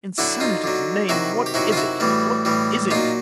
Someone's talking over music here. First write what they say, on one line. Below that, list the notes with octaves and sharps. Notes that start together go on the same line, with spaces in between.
"In sanity's name what is it--what is it?"
D3 F#3 E4 F#4
D#4 F4
D3 F#3
C3 D#3 F#3 E4 F#4
G4
C3 D#3 F#3 E4 F#4
F4
E4 F#4
A2 E3 G3
A2 E3 G3
A#2 F#3 D#4 F4